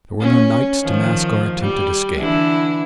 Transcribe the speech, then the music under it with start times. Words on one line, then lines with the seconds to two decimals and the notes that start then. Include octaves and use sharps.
There were no nights to mask our attempted escape.
0.20 C#4
0.82 D#3 F3
1.61 G3
2.18 D3 E3 E4